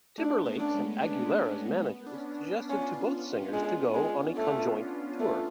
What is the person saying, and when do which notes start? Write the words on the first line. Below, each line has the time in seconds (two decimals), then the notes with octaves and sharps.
Timberlake's and Aguilera's managers suggested to both singers to go on a conjoint tour.
0.18 A3 D4
0.46 B3
0.53 C#4
0.60 B3 D4
0.75 G#3
0.93 A3
1.01 G#3 D4
1.44 A3
1.86 B3
2.06 D4
2.13 C#4
2.41 D4
2.69 C#4 F4
2.81 D4
2.93 C#4
3.05 D4
3.53 G#3
3.95 G#3
4.37 A3
5.20 A3